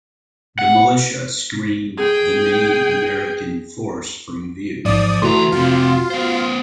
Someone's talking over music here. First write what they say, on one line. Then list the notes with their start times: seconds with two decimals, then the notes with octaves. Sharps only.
The militia screened the main American force from view.
0.59 F#5
1.98 G#4 G5
4.85 A1 G#2 F3 D5 D#6
5.22 D2 E3 A3 F#4 A#5 C6
5.52 F2 C3 F4
6.10 B3 C5